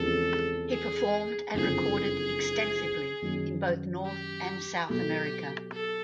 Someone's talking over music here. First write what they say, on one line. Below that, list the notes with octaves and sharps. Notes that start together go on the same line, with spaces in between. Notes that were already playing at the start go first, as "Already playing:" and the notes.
He performed and recorded extensively in both North and South America.
Already playing: E2 C#3 F3 G#3 C4 A4
G#4
F#1 F2 D3 G#4
F#2 D#3 F#3
G4
B2 F#3 A3 G4
A4